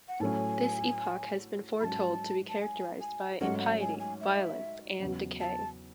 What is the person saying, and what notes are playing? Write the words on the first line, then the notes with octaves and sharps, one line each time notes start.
This epoch has been foretold to be characterized by impiety, violence, and decay.
F#5
A2 F#3 A3 C#4 G#5 A5
G#2 F#3 C#4 A5 B5
A5
G#5
G#5
G#2 F#3 A3 C#4 F#5
F#5
G#5
G#5
E5
E2 C#3 F#3
A5